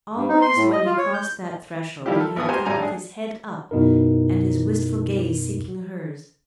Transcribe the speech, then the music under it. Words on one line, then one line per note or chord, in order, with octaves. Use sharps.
Always when he crossed that threshold he had come with his head up and his wistful gaze seeking hers.
G2
D#4
C6
A2
D#5
F4
C#5
G6
D#3 F3 G3 E4 F4 G4
A4
G#1 B3 D#6
F#4 G4 C5 G#5 A#5
G#1 A2 G3 G#5 A#5
D4 G#4
F#2 B2 D#4 E4 A#4